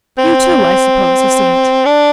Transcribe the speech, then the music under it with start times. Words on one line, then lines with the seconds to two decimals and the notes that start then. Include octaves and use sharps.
"You too, I suppose, have seen it?"
0.18 C4
1.86 D4